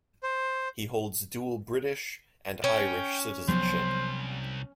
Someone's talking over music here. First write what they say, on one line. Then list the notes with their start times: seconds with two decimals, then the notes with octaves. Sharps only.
He holds dual British and Irish citizenship.
0.23 C5
2.64 C#4 G5
3.48 C2 F3 F#3 B3 C5